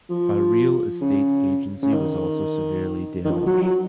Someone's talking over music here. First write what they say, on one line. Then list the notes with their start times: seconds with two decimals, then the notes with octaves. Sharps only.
A real estate agency was also severely damaged.
0.10 F3
1.01 C#3
1.82 C#3
1.93 D#3
3.25 D#3
3.31 F3
3.46 F#3
3.62 F#3